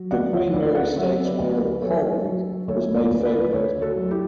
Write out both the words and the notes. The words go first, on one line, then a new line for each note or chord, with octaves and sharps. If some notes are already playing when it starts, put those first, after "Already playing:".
The Queen Mary Stakes winner Heartache was made favourite.
Already playing: F#3
D2 D5 F#5
C#5 E5
D2 B4 D5
D5 F#5
F#3 C#5 E5
B4 D5
D2
G4 B4
F#3 A4 C#5
F#3
D2 A4 C#5
B4 D5
D2
B4 D5
D2 A4 C#5
F#4 A4
F#3
E4 G4